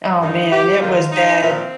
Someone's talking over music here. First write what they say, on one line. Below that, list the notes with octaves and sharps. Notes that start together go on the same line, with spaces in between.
Oh, man, it was bad.
G2 D#3 D#4
G4
G#2 D#3 F4
D#4
A#2 F3 C4